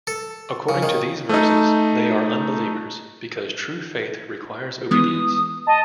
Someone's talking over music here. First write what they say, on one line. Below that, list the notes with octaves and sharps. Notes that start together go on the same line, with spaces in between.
According to these verses, they are unbelievers; because true faith requires obedience.
A4
C#3
D#3
A3 D#4
E3 G#3 B3 D#6
D#5 A5